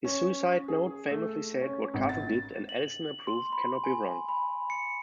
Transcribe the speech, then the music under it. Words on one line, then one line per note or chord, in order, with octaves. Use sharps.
His suicide note famously said: What Cato did, and Addison approved, cannot be wrong.
C#4
G#4
A3
C#4
G#1
A6
F#7
C6
B5
G#5
B5
C#7